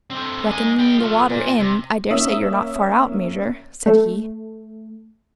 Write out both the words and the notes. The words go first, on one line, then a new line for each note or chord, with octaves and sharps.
"Reckoning the water in, I daresay you're not far out, Major," said he.
D3 C4
D#4 G#5
G#3 G5
A3 F4
A#2
C3
A#3 C#4 E5 D#6 F#7
A3